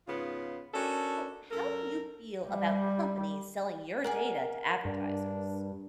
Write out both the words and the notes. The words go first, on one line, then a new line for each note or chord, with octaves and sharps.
So, how do you feel about companies selling your data to advertisers?
G#2 C#3 B3 F4
C#4 D4 F#4 A4 A#4
F#2 A4 A#4
G3
G#4 A#4 D5 F#5
G2 D4